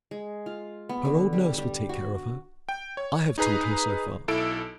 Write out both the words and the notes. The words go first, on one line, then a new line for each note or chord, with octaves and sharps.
Her old nurse will take care of her, I have taught her, so far.
G#3
F4
B3
D3
G3
G3
F#4
G5
C#5
D#4 G#4 B4 A#5 C7
B1 E4 A4 D7